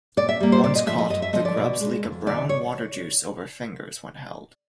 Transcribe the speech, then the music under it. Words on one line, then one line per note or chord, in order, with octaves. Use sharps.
Once caught the grubs leak a brown water juice over fingers when held.
A#2 D5
E5
G3 A#3
C5
A#2 D5
D#5
F3 A3 E5
D#5
F#2 D#5
E5
D3 F3 A3 D#5
D5
B2
G#3
F2
C3 D#3 D5
C#5